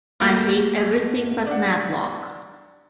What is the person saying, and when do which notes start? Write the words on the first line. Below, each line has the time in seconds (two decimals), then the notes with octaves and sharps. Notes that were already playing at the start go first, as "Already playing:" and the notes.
I hate everything but "Matlock".
0.20 A3 A#3 F#4 D7
1.47 D4 F#5